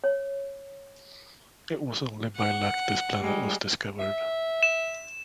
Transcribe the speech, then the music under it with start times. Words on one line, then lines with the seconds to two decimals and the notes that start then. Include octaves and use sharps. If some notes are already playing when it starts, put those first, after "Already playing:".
It was only by luck this planet was discovered.
0.04 C#5
2.36 F#5
3.20 G3 G#3
3.99 E5
4.63 E7